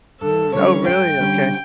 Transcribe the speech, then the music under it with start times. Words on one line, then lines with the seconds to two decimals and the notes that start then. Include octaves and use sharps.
Mm, oh, really, okay.
0.21 G2 A4
0.54 D3 G3 C#4 C#5
0.87 G2 G5
1.20 D3 G3 C#4